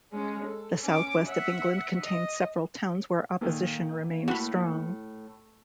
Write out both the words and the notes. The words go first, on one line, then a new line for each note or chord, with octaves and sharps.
The South West of England contained several towns where opposition remained strong.
G#3 C#4
A4
C#4 D6
E5 F#5
D#5
A#2 D#3 A#3 A4
A2 F#4 B5